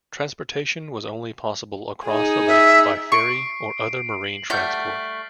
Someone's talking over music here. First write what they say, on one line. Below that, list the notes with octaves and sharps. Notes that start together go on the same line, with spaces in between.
Transportation was only possible across the lake by ferry or other marine transport.
D#4 G#4
E5
C#6 C7 D7
F#7
G3 A3 F#5 F6 G6 A6 B6